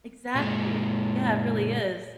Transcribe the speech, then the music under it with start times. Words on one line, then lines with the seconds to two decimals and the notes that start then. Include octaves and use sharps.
Exactly. Yeah, it really is.
0.36 A#2 G#3